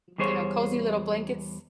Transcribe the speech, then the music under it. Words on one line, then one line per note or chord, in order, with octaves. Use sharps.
you know, cozy little blankets
E2 G3 G#4 C5 C#5